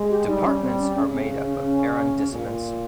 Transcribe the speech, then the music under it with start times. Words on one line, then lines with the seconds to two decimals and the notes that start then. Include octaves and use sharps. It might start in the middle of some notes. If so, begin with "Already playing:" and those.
Departments are made up of Arrondissements.
Already playing: G#3
0.10 G4
0.27 G3 D#4
0.45 C#4
0.62 C4
0.79 C#4
0.96 C#3 C#4
1.13 C4
1.47 C#4
1.64 C#4
2.33 A#2